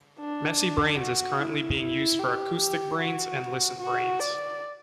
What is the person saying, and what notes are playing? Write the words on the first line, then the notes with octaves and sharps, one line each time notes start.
MessyBrainz is currently being used for AcousticBrainz and ListenBrainz.
D4
F#4
E4
E4
G4
G4
F#4
F#4
D5